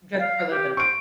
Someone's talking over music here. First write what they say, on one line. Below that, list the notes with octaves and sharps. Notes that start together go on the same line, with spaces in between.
just for a little bit of money.
F5
G4
C5 C#6 D7